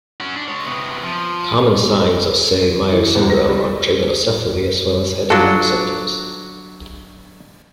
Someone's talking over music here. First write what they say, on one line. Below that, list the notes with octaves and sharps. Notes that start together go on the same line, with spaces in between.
Common signs of Say-Meyer syndrome are trigonocephaly as well as head and neck symptoms.
C#4 F#4
D4
G#3 C#5
C3 B3
F3
E3
E2
A#6
G3
F#3 D4 F4 F#4 A4